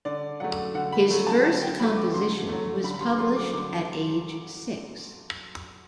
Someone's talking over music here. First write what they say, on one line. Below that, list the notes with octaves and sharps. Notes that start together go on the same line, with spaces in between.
His first composition was published at age six.
D3 D5
F#3 A3 F#5
D3 F#5
B5
F#3 A3
A5
D3 A5
G5
F#3 A3 B5
D6
D3 C6
F#3 A3
D3 B5
B5
C6
F#3 A3 C6
D6
D3 D6